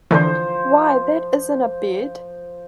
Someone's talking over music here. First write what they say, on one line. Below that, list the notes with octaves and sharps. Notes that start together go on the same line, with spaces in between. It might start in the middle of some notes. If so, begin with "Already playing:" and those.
Why, that isn’t a bed!
D3 E3 F3 C5